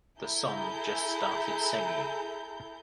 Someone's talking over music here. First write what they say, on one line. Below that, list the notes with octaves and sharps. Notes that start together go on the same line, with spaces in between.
The song just started singing.
E4 G#4 A4 A#5 G6